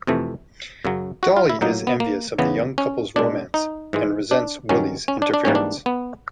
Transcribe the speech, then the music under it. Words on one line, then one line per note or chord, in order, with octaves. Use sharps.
Dolly is envious of the young couple's romance and resents Willy's interference.
F2 C3 E3 A3
F#2 C#3 F#3
F#4
F4
E4
A2 F#3 A#3 D#4
B3
A#3
E2 C#3 E3 B3
C#4
B2 G#3 D4
D#4
G#2 E3 G#3
D4
G2 D#3 F#3 C#4
C#4
D4
D4
G#2 E3 G3 A#3 C#4
D4
B3